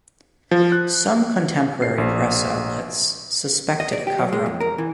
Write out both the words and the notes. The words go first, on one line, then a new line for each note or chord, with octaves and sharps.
Some contemporary press outlets suspected a cover-up.
F3
F#6
C7
A#1
D#5
D5
G4
F#3
G#3
F2
A#4
E3